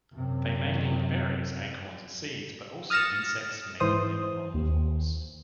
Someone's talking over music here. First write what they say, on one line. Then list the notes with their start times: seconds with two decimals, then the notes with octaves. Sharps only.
They mainly eat berries, acorns, and seeds, but also insects, making them omnivores.
0.13 F#2 C3
2.90 D#6 F6 A6 A#6 C#7 E7
3.80 G#2 E3 C5 C6 D#6
4.54 D#2